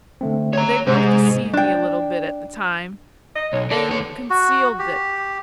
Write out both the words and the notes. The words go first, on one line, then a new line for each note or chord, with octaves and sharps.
They both deceived me a little bit at the time, and concealed it.
D3 A3 C4
C#5 A#5
G#2 C3
D4 G5
D#5
B1 C#5
D4 A4 D5
D#2 B3 C#5
F#4
G4